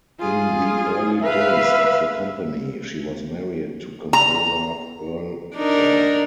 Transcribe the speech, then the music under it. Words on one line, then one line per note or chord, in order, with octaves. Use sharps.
In the early days of the company, she was married to composer Earle Brown.
F4 G#4
B4 E5 F5
A#5
D4 D#4 A#4